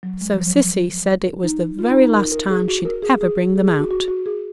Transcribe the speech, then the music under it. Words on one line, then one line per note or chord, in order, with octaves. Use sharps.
So Cissy said it was the very last time she'd ever bring them out.
F#3
G#3
F3
F#3
F#3
D#4
F4
D#4
D#4
A#4
A#4
G#4
F#4
A#4
G#4
G#4
G#4
G#4
F#4
F#4
F#4
G#4